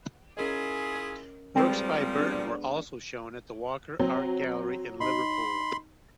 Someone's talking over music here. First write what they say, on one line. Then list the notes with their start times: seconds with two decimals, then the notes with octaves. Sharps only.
Works by Burton were also shown at the Walker Art Gallery in Liverpool.
0.37 C#4 E4 F4 G#4 A#4 D#5
1.56 A#2 F3 G3 G#3 C4 A4 B4
2.18 B3 D4 G#4
4.00 F#3 C4
5.00 D#4 B5 C6